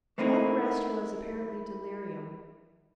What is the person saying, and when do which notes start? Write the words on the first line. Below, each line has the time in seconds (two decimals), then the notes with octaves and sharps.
All the rest was apparently delirium.
0.18 A3 A#3 C4 D#4 E4